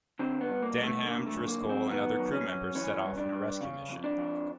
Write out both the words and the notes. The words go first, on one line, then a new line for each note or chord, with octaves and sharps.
Denham, Driscoll, and other crew members set off in a rescue mission.
D3 C4
B3
G2
A#3
G2
A3
D3 A#3
A3
F#2
A#3
F#2
C4
D#3 B3
F#2
C#4
F#2
E3 C#4
G2
D4
G2
C#3
F2
D4
F2